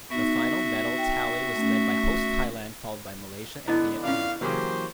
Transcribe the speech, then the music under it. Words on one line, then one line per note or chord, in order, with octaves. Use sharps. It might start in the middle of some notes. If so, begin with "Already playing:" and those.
The final medal tally was led by host Thailand, followed by Malaysia and Vietnam.
B3 D#4 F#4 E5
G5
A3 C#4
D3 B3 D4 E4 D#5
C#4 F4 D5 F5
C#3 E3 F#3 A#3 G4 G#4 C5